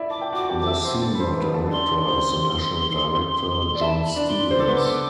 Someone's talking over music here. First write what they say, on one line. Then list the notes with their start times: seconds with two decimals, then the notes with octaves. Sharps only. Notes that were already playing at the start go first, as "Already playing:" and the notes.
The senior director is the National Director, John Stevens.
Already playing: E4 D5 E5
0.10 A5 D6
0.22 G5
0.32 F#4 F#5 D6
0.42 A5
0.50 G4 G5
0.59 D6
0.67 E5 E6
0.84 C5 C6
1.02 A4 A5
1.15 B5
1.20 C5 C6
1.37 B4 B5
1.54 A4 A5
1.72 D4 D5 C6
2.07 C4 C5
3.75 D5
3.81 E4 E5 A5
4.05 B5
4.16 D4 D5
4.28 C6
4.51 C4 C5
4.58 A4 D6
4.67 B3 B4 C6
4.75 D6
4.86 A4